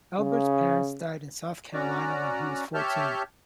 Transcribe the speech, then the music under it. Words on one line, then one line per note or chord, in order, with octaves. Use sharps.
Elbert's parents died in South Carolina when he was fourteen.
C#3
C#4 F#4 D5 A#5
G4 C#5 E5 A5 F6 G6